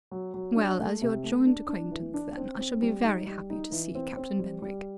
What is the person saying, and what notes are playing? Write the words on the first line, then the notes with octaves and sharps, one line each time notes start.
"Well, as your joint acquaintance, then, I shall be very happy to see Captain Benwick."
F#3
F#3
D4
A3
C3
A3
D4
D4
E3
D4
C4
C4
G3
D#4
G3
D#4
E3
C4
C4
G3
G3